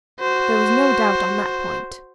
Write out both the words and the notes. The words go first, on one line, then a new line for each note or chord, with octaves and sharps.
There was no doubt on that point.
F#4 C5